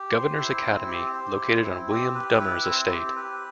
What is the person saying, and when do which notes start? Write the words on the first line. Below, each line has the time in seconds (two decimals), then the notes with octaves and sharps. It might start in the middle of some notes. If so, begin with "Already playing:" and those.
Governor's Academy located on William Dummer's estate.
Already playing: G4
0.12 C5
0.37 E4
0.62 C4
0.88 G4
1.13 C5
1.38 E4
1.64 C4
1.90 G4
2.15 B4
2.40 E4
2.65 C4
2.90 G4
3.16 B4